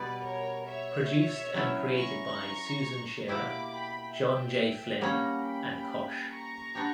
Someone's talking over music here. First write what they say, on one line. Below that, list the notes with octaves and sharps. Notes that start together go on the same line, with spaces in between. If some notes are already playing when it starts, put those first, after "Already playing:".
Produced and created by Susan Shearer, John J. Flynn and Kosh.
Already playing: B2 G3 B3 B4 D5
A#4 C#5
C#5 E5
F#3 C#4 E4
A#5 C#6
B2 A#3 E4 G4 B5 D6
G5 B5
E5 G5
G3 A#3 C#4 F#5 A#5
G5 B5
A#5 C#6
B3 D4 G4